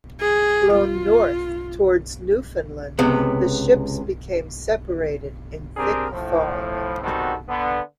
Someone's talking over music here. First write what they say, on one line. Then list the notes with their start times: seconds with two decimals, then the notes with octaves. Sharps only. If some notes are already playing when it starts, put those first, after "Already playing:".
Blown north towards Newfoundland, the ships became separated in thick fog.
0.21 G#4
0.73 F4
2.99 C#2 C3 B3
5.76 C4 D4 G4 G#4 A#4
6.11 A2 F3
7.02 D#3 G3 B3 C4 F#4 A4
7.49 D3 B3